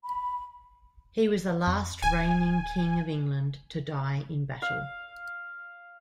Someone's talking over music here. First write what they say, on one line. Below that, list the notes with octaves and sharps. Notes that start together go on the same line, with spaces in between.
He was the last reigning King of England to die in battle.
B5
F2
D1 G#5
F5